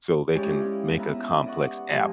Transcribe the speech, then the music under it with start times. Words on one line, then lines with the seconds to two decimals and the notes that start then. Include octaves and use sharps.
so they can make a complex app.
0.35 G#3 C#4 E4 G4 C#5 D5
0.60 E4 F4
0.97 B3 A#4 B4 E5 A#5
1.46 D5 D#5 F#5 C#6
1.89 G2 A#2 F3 G#3